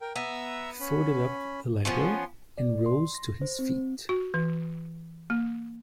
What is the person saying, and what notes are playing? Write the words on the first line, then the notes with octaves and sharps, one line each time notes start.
He folded up the letter, and rose to his feet.
A#4 G5
B3 E5 A#5 E6
C#4 B5
F3 B3 C#4 C6
D5
C6
A#6
C5
C4
F#4
E3
A#3